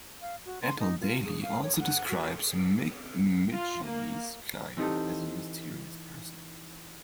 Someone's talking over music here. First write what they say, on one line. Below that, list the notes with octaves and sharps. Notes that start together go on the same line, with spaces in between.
Apple Daily also describes Midgley's client as a 'mysterious person'.
F5
F#4
C6
D#4
F4
G#4
F5
C#5
F#5
F#4
F4
A#3
E3 C4 D#4 G4 A4